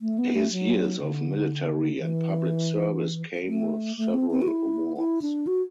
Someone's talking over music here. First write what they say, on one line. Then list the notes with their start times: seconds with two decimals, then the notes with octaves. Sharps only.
His years of military and public service came with several awards.
0.01 A3
0.18 B3
0.35 A3
0.52 F#3
1.01 D3
1.99 E3
3.48 A3
3.97 A3
4.14 C4
4.31 C4
4.42 F#4
4.48 E4
4.97 E4
5.22 D4
5.47 F#4